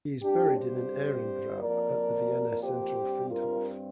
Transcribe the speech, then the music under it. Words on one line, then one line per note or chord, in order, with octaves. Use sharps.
He is buried in an Ehrengrab at the Vienna Zentralfriedhof.
G2 G3 C4 D4 G4
G4 C5
F2 F3 A#3 A#4 D5
G4 C5
G2 G3 C4
F4 A#4